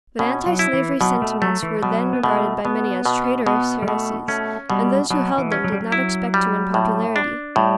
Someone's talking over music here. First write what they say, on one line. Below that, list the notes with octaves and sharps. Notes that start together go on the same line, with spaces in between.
But antislavery sentiments were then regarded by many as traitorous heresies; and those who held them did not expect to win popularity.
B2 C#4
F#3
E4
E3
B2 F#3
A3
F#3 A3
E3
B2 F#3
B3
B2 A3
B2 B3
B2
B2 B3
G3
B2 A3
A3 C#4
B2 G3
B2 F#3
E3
C#4
F#3
G3
F#3
E4
G3
A2
D4
A2 G3